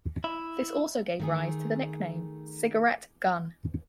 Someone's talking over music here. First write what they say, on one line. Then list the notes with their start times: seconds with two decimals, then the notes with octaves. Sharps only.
This also gave rise to the nickname, "cigarette gun".
0.24 E4
1.20 D#3 A3 G#4